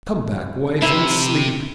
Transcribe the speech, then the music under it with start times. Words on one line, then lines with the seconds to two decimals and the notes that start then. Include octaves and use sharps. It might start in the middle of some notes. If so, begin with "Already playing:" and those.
"Come back, wife, and sleep."
0.82 C3 E4